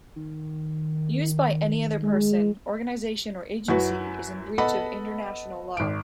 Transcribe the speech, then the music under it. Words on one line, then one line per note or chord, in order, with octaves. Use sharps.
Use by any other person, organisation or agency is in breach of international law.
D#3
G#3
F#2 F#3 E4 F#4 B4
B3 A4 D#5 F#5 A5 B5
G#1 D7